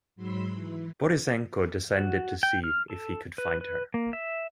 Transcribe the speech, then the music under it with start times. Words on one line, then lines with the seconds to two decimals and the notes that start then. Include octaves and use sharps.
Borisenko descended to see if he could find her.
0.16 G#2 F#3 B5 C6 E6
0.52 E3
1.97 F#4
2.43 G5
2.64 F6
2.90 A4
3.38 B4
3.61 B4
3.94 A#3
4.13 E5